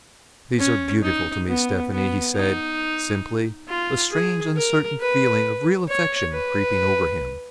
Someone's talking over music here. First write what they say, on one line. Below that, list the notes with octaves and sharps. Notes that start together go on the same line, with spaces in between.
"These are beautiful to me, Stephanie," he said, simply, a strange, uncertain feeling of real affection creeping over him.
C#4
D#4
B3
B3
D#4
F4
G#4
A#4
B4
C#5
B4